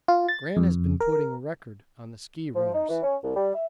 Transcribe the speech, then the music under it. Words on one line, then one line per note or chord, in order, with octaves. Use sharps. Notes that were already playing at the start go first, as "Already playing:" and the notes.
Gran has been putting 'record' on the ski runners.
F4
A6
F2
A#4
F3
D#4
E3
C#4
C2
G3
E5